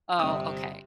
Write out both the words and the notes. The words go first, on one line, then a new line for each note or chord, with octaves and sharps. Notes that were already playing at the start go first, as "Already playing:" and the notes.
Oh, okay.
G1 C3 D#6